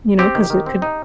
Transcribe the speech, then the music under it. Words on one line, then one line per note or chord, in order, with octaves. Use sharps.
You know, 'cause it could
C4 G4
D#3
D#3
C4
D#4